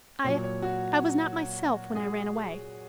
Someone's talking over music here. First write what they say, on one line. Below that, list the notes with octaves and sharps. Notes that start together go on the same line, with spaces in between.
I--I was not myself when I ran away.
A#2 F#3 C#5
C#5
F#4
G#4